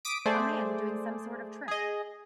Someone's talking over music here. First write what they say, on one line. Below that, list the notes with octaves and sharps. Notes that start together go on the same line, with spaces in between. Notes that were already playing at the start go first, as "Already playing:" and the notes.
A man doing some sort of trick.
D6 D#6 B6 D7
A3 G#4 C5 D5
G#4 D#5